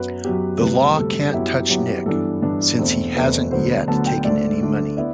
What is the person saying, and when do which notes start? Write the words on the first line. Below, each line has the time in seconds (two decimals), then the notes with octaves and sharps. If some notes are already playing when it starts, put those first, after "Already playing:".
The law can't touch Nick since he hasn't yet taken any money.
Already playing: F#2 F#3 B3 B4
0.24 F#2 F#3 B3 G4
0.60 D2 C3 G3 B4
0.97 D2 C3 G3 A4
1.33 F#2 F#3 B3 E4 G4
1.69 F#2 F#3 B3 E4 G4
2.06 G2 E3 B3 D4 A4
2.42 G2 E3 B3 D4
2.79 E2 B2 A3 C4
3.15 E2 B2 A3 C4 B4
3.51 D2 D3 F#3 B3 C5
3.88 D2 D3 F#3 B3 A5
4.06 G5
4.24 D2 D3 A3 D4 D5
4.61 D2 D3 A3 D4
4.97 B3 E4 D5